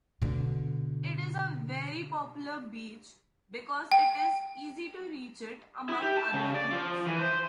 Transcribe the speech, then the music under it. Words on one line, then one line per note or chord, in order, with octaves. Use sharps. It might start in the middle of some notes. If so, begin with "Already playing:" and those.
It is a very popular beach because it is easy to reach it among other things.
B2 D3
G5
E4
G4
A5
C#3
D5
F3
E3
C5